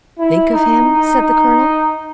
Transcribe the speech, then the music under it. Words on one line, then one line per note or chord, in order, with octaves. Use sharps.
"Think of him?" said the colonel.
E4
D#4
D#4